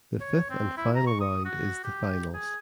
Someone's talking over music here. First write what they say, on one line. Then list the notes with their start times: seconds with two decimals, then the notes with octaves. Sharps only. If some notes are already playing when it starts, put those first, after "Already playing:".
The fifth and final round is the finals.
0.21 C#5
0.50 C4
0.77 E4
0.95 A#5
1.07 C#6
1.21 D#6
1.45 F#4
1.84 G4
2.33 G#4